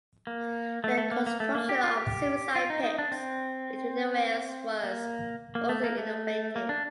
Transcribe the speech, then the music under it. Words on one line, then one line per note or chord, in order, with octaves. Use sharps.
The construction of "suicide pits" between the rails was also innovative.
A#3
A3
A3
A#3
A#3
A3
A#3
G4
F4
G4
F4
D#4
D#4
D4
C4
A#3
A#3
A3
A#3
A3
A#3
D4